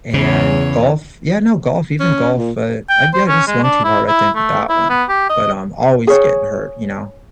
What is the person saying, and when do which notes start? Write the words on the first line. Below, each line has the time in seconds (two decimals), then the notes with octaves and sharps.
and golf yeah, no golf, even golf, uh, I yeah I just swung too hard, I think with that one, but I'm always getting hurt, you know,
0.14 E2 C#3 E3 C#5
2.00 C#4
2.36 A#2
2.90 G5
3.14 C5
3.28 C#4
3.47 G#3
3.63 D4
3.84 E4
4.08 E4
4.36 A3
4.69 E4
4.90 B3
5.09 G4
5.29 D#5
6.07 G#4 C#5